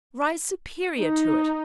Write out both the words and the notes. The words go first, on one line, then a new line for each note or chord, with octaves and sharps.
Rise superior to it.
D#4